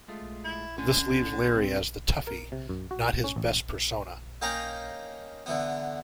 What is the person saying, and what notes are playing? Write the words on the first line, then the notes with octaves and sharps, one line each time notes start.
This leaves Larry as the toughie - not his best persona.
G#3 A3 F4
E4
D3 C#4 G#5
C4
A#4
C3
F#2
F#4
C#4
A1
A#3 C#4 D#4 F5 G5 A#5
D3 E3 B3